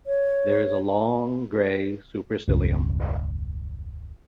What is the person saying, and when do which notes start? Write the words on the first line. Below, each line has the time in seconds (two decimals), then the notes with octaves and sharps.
There is a long grey supercilium.
0.06 C#5
2.48 E1 C#2 G2